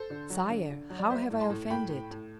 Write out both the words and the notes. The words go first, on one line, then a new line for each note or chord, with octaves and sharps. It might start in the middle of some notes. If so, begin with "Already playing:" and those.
"Sire, how have I offended?"
Already playing: A4 C5
D3
F#3
D3
D3
F#3
D5
G3 C5 E5
A2
A5 C6
A2
A2 G5 B5
A2
A2